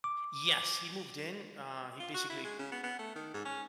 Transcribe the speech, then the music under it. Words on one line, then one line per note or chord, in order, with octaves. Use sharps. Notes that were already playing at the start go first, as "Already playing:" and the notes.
Yes, he moved in. Uh, he basically
D6
F4
F#4
E4
G#3
C#3
B3
B3
A3
D#3
G#2
C#4